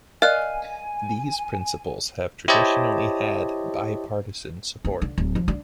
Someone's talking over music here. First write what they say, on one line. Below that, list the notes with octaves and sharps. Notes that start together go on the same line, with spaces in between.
These principles have traditionally had bipartisan support.
A#4 D5 D#5 F5 G#5 F#6
E4 G4 C5 C#5 D#5 A5
B3
D3
D1
F3
D4